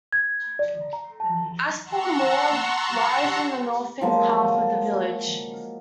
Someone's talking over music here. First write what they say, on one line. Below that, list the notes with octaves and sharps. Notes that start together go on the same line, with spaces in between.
Aspull Moor lies in the northern half of the village.
G#6
D5
A#5
A5
F#5 A5 A#5 C6 C#6 E6
F3 F#3 G#3 A#3